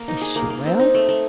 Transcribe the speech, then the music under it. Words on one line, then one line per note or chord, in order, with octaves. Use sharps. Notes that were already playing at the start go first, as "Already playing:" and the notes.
Is she well?
Already playing: A#3
D#4
G#4
A#3
A#3
C4
D#4
A3
A3